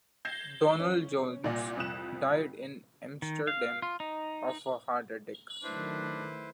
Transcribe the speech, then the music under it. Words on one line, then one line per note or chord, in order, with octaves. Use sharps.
Donald Jones died in Amsterdam of a heart attack.
G6 G#6 A#6 C7 E7
C#4
C2 A#2 A#3 D5 G#5 A#6
C2 F2 D#6 F#6 E7
D#3
F5
F4
D#4
D#3 F#3 A3 D4 E4 B4 C5